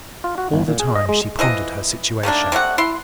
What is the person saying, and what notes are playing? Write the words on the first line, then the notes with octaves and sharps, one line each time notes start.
All the time, she pondered her situation.
F4
F#4
G1
A#2
G#4
D#5
G#3
E3 F3 D#5
D#3 A3 A#3 D4
C3 G3 A3 F#5
E4 C6